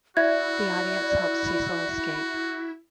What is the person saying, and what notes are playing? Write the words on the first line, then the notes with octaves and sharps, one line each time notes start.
The audience helps Cecil escape.
E4 F#4 D5 E5 G#6